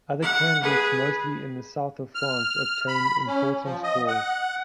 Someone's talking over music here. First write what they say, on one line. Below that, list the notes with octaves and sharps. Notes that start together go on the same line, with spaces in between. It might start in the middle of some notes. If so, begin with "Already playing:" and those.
Other candidates, mostly in the south of France obtained important scores.
F#5
G#4 B4
F6
B5
C#4
F3
D#5
F#5